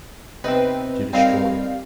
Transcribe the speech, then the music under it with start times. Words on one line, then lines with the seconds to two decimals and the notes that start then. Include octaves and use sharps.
To destroy.
0.44 C3 B3 C4 D#4 B4
1.13 G3 C4 D#4 A#4 F5 C7